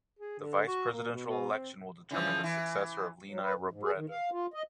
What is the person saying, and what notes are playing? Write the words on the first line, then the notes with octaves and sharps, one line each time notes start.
The vice presidential election will determine the successor of Leni Robredo.
G#4
D3
F#4
A#3
B2
B2
C4
C#3 E3 F3
E3
F#3
B4
F#2
G#2
G#4
D#3
F5
F4
D#5